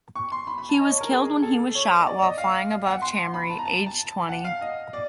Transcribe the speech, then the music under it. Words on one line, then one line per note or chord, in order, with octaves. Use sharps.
He was killed when he was shot while flying above Chamery, aged twenty.
C#6
C6
B5
B5
A5
D#5
C#5
A#4
G#4
A4
C#5
D#5
D5
D#5
F5
F#5
C6
B5
A5
A#5
A5
A5
F#5
F5
D#5
D5